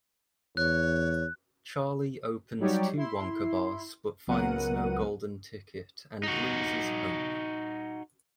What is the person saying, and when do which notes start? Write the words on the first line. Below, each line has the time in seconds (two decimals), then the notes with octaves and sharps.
Charlie opens two Wonka Bars but finds no Golden Ticket and loses hope.
0.57 E2 C#5 F#6
2.60 F#3 G3 D#4 G4 C#5 D5
2.97 E4 C6
4.27 C#2 F#3 B3 A#4 F#5 D#7
6.23 D#4 F#4